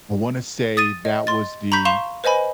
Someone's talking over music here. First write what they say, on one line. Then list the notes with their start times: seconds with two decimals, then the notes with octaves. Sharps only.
I wanna say that was the,
0.77 D#6 A6 D#7
1.05 D#5
1.27 C6 A6
1.72 A#5 B5 C#6 G6 B6
1.85 F5 C6 C#6 E7 F7
2.24 B4 C5 D#5 G#5 B5